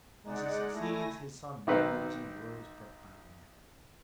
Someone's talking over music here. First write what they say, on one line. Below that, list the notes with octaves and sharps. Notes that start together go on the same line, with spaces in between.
As he succeeds, his somnambulism grows profound.
G#3 D#4 D5 F#5
A3 E4 G#5 A#6
B1 D#3 C4 D#4 B4